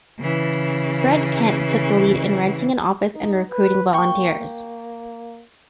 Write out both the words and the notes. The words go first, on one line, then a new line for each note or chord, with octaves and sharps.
Fred Kent took the lead in renting an office and recruiting volunteers.
C#3 E3
D#4
B4
A#3 G5 C#6